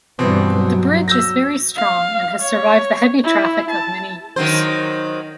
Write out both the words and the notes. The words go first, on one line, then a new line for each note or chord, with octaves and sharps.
The bridge is very strong and has survived the heavy traffic of many years.
G2 B2 E3 C4
F#3
E6 G6 A#6
F5
C#5
E4
A5
D#3 F#3 C5